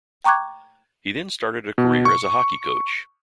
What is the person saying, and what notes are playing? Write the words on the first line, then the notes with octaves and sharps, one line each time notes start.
He then started a career as a hockey coach.
G5 A#5 C#6 D6 F#6 G#6
B2
C#6